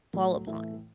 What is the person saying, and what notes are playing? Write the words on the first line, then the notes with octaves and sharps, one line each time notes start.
fall upon.
A2 F#3 A3
A2 E3 A3 E4